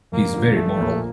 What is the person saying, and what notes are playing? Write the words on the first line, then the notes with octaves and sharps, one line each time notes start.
He's very moral.
F2 A#3
D3 F3
A#1 A3
A#2 F3 A#3